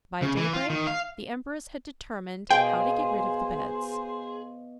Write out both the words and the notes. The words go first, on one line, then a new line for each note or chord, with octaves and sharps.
By daybreak the empress had determined how to get rid of the beds.
C#3
E3
F4
D#3
F5
B2 G#4 C5 F5 G5